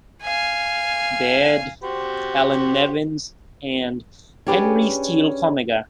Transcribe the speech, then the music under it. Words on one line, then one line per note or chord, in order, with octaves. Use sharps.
Beard, Allan Nevins, and Henry Steele Commager.
F5 G#5
F#4 G4 C5
C#4 D4 G4 G#4 B4